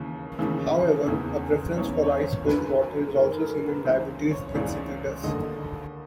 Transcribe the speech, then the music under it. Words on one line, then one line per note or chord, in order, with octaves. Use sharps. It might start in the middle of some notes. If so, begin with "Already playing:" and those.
However, a preference for ice-cold water is also seen in diabetes insipidus.
Already playing: D#2 C#3 E3
D#2 C#3 E3
E2 C#3 E3
E2 C#3 E3 C#5
C#5
C5
F#2 D#3 B4
F#2 D#3 A#4
A4
A#4
B4
C#2 C#3 E3 C5
C#5
C#2 C#3 E3 D5
D#2 D3 D#5